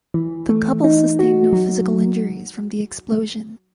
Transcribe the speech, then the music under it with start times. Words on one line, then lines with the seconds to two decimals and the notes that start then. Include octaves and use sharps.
The couple sustained no physical injuries from the explosion.
0.14 E3
0.49 A3
0.84 D#4
1.19 F#4
1.53 F#3